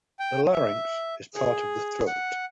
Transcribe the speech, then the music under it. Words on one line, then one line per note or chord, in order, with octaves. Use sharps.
The larynx is part of the throat.
G5
E5
G#4
F#5